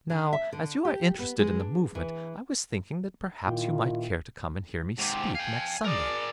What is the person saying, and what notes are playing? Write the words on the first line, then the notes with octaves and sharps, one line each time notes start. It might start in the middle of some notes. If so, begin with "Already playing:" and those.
Now, as you are interested in the movement, I was thinking that perhaps you might care to come and hear me speak next Sunday.
D3
E5
D3
G4
B3
G#3
D4
E3
A#2 D#3 E4 F4 G5
G#2 C3 G4
F5 G5 G#5
G#4 A#4 D5